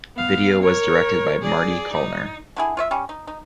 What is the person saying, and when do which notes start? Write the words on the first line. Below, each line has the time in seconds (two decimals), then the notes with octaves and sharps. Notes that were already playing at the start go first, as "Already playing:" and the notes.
Video was directed by Marty Callner.
0.16 B3 F5
0.61 A#4 C#5
1.42 G#4 D5
1.93 D#4
2.56 D3 E4 G#4
2.77 F4 C#5 E5
2.91 G3 C#4
3.09 D#4
3.27 D#4